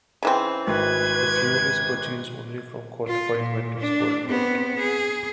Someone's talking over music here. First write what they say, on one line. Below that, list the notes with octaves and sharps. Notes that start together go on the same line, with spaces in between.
The fuel is purchased only from qualified vendors worldwide.
C#3 E3 C4
G#1 B4 G#6
F4
A#2
D4
B3 C4
G#4